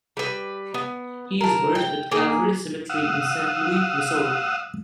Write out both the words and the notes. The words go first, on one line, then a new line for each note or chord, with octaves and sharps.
He is buried at Calvary Cemetery in Saint Louis, Missouri.
G3 B4
B3
A#4 A5
G5
A#3 G#4
F5 F#5 D#6 E6